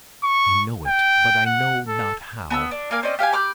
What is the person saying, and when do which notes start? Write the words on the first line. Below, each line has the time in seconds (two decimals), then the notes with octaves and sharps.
I know it, but I know not how.
0.24 C#6
0.87 G5
1.46 F#5
1.88 A4
2.50 B3 A5 E6
2.71 D4
2.91 A#3 A#4 F5 G#5
3.03 C4 C#4 D5 D#5
3.19 G4 F5 F#5 G#5
3.32 B5 D6 F6 G6